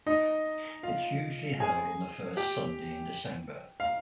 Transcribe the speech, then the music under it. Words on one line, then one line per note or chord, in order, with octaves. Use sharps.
It is usually held on the first Sunday in December.
D#4 D#5
F4 F5
G#4 G#5
G4 G5
F5